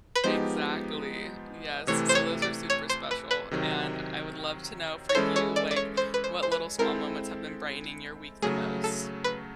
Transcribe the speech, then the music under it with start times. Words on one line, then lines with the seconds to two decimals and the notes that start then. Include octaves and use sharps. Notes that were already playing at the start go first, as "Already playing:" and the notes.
Exactly, yes, so those are super special, and I would love to know for you, like, what little small moments have been brightening your week the most?
0.16 B4
0.24 F3 G#3 B3 D#4 G4 C5
1.87 C3 E3 A3 C#5
2.09 C5
2.15 C#5
2.42 D5
2.70 C#5
2.90 C5
3.11 B4
3.31 B4
3.51 C3 D#3 F#3
5.09 C#5
5.15 E3 G#3 C#4 E4 A4 C5
5.36 C#5
5.56 D5
5.71 D5
5.76 C#5
5.97 C5
6.14 B4
6.24 C5
6.43 C5
6.52 B4
6.78 G#3 C4 E4 A4 A#4 C5
8.42 C#3 F#3 A3 G#4
8.84 A4
9.24 B4